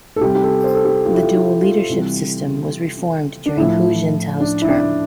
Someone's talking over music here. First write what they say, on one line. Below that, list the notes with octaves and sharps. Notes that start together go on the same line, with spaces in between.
The dual-leadership system was reformed during Hu Jintao's term.
A4
C3 G3 G4
G4
A4
C5
A4
G4
F4
E4
F4
E4
F4
C3 E3 G3
D4
A2 F3 E4
D4
E4
D4